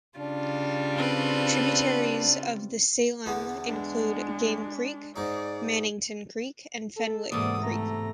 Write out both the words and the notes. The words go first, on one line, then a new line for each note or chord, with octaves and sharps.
Tributaries of the Salem include Game Creek, Mannington Creek, and Fenwick Creek.
C#3 G3 D4 F4
C4 B4
E2 D3 B3
G#3 D4
G#2 D#4 D5
A4
E2 G#2 C3 A#3 A4 D5 D#6
A3 A#5